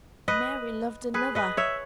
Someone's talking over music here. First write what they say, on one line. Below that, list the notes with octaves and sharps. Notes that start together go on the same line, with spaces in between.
Mary loved another!
B4 D#5
G#4 B4
B4 D#5
C#5 E5